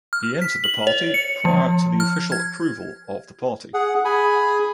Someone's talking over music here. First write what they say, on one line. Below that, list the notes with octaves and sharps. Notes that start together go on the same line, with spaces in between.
He entered the party prior to the official approval of the party.
F6
B6
F#7
C#5
C#7
F3
F6
G#6
G#4 F#5
G#4 G#5 B5